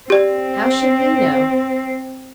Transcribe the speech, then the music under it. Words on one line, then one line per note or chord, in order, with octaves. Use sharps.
'How should he know?
C4 G4 D5